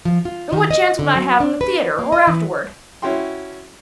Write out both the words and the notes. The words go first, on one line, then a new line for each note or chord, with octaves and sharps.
And what chance would I have in the theatre or afterward?
F3
F4
D#3
D#5
D3
F#3
D4
B4
A#3
D#5
E3
C#4 E4 F#4 G5 C6